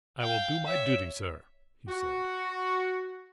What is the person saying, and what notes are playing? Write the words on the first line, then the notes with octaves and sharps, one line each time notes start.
"I will do my duty, sir," he said.
F5 G5
C#5 E5
F#4